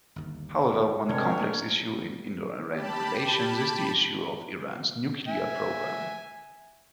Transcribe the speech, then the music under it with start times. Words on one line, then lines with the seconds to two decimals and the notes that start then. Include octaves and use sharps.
However, one complex issue in Indo-Iran relations is the issue of Iran's nuclear programme.
0.16 G1 D#2
1.09 C3 G#3 C4 D4 A#4 C#5
1.39 A3 A#3
2.71 G4 A5 B5
5.28 E5 G#5